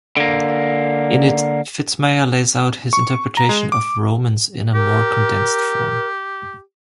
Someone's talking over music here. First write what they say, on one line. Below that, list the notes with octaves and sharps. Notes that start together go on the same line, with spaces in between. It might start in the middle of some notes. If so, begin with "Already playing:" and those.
In it Fitzmyer lays out his interpretation of Romans in a more condensed form.
D3 A#3
C#6
A#5
G#3
D6
G4 A#4